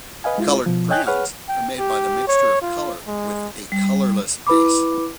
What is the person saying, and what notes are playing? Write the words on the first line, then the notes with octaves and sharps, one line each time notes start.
Coloured crayons are made by the mixture of colour with a colourless base.
B4 D#5 F5 G#5
G#3 E4 F4
B2 F3
C#5 D#5 G5 G#5 F#6 G6
G#4 B4 C#5 F#5 F6
G5
G4
C#5
F4
G#3
G3
E4 B4 B5 D6